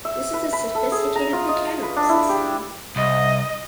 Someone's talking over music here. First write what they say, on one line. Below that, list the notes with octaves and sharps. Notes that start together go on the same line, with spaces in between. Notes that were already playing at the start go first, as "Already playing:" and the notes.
This is a sophisticated mechanical system!
E5
B4
B5
A4
G#4
A#5
F4
D#5
B4
D4
E4
G4
C2 D#5